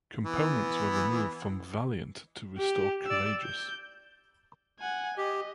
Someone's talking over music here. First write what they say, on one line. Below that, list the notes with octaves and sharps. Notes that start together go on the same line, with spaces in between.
Components were removed from "Valiant" to restore "Courageous".
E3 B3
G4
D5 E6
G6
F#5 G#5
G4 D#5